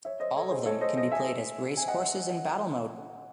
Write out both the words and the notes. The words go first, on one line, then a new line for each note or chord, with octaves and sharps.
All of them can be played as race courses in Battle Mode.
C#5 E5
C5 D#5
A4 C#5
G#4 C5
A4 C#5
C5 D#5
C5 D#5
E5 G#5
G#5
D#5 F#5